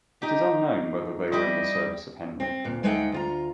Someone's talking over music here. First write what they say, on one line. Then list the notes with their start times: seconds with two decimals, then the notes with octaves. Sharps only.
It is unknown whether they were in the service of Henry.
0.22 D#4 G4
1.32 G3 E4 G4 D#5
2.40 C4
2.64 D2 A#2
2.83 D2 G#3 A3 D#4 F#5 G5
3.12 D2 F4 A#5